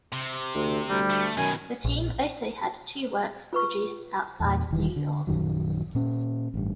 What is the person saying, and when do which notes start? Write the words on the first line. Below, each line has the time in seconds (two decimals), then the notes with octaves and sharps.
The team also had two works produced outside New York.
0.13 C3
0.55 D2
0.90 D2 G3
1.10 A3
1.37 F#2 B2 D#3 G#5
1.85 A#1
3.53 F4 B4 C#6
4.40 E2 A#2
4.71 E1 D#3 E3
4.96 D3
5.27 A#1 F#2 D#3 F#3
5.95 A#2 C#4
6.54 A1 G2